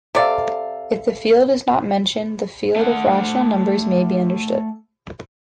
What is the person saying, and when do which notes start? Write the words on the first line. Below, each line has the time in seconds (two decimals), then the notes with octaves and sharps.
If the field is not mentioned, the field of rational numbers may be understood.
0.15 C3 A4 D5 F5
2.76 A3 F#5